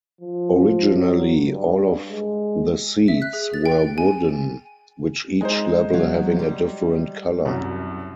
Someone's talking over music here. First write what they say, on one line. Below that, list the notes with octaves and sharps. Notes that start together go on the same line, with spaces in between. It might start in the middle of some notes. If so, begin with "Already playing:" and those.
Originally, all of the seats were wooden, with each level having a different color.
F3
F#3
G2
G#3
E5
F#6
G#4
A6
G5
G#5
G#3 D#4 C5
F#3
G3
C2 F#2